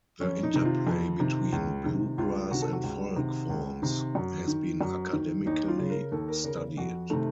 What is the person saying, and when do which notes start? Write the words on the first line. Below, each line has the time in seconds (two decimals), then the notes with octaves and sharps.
The interplay between bluegrass and folk forms has been academically studied.
0.21 F2 C#4
0.43 D#4
0.54 C3 D#3
0.65 F4
0.87 F2
1.20 C3 D#3
1.52 C#2
1.85 C3 D#3
2.18 C#2 F4
2.51 C3 D#3 F#4
2.62 A4
2.73 F#4
2.83 C#2
3.16 C3 D#3
3.49 C#2
3.82 C3 D#3
4.15 F#2
4.47 D#3
4.81 F#2
5.13 D#3
5.46 D#2 D#4
5.68 F4
5.79 C#3
5.90 A#4
6.12 D#2 A4
6.28 A#4
6.44 C#3 A#4
6.77 F2 F#4
7.10 C3 D#3 A3